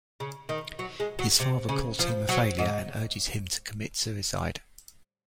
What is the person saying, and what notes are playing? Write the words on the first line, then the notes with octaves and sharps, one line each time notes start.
His father calls him a failure, and urges him to commit suicide.
C#3
D#3
F#3
G#3
F#3
C3
C#3
F3
F#3
G#2